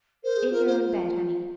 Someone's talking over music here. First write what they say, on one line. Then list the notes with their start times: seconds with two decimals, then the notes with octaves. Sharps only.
"In your own bed--honey."
0.23 A#4 C5
0.37 G#4
0.51 F4 A#4
0.66 C5